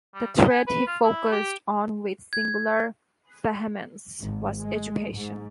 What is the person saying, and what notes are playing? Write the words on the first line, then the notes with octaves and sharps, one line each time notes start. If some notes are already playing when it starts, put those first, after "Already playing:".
The thread he focused on with singular vehemence was education.
G3
D#5
G#5
B4
F4
E4
G4
G#6
G#1
G#3
G#2